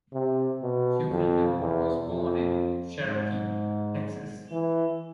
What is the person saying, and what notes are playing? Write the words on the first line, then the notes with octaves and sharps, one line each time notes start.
Kuykendall was born in Cherokee, Texas.
C3
B2
F2
E2
F2
G#2
E3